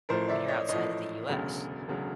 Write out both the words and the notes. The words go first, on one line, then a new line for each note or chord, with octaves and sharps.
when you're outside of the US.
A1 A2 F3 A#4 C5
D5 E5
C#5 D#5
A1 A2 F3 C#5 D#5
E1 D2 C#3 F#3
E1 D2 C#3 F#3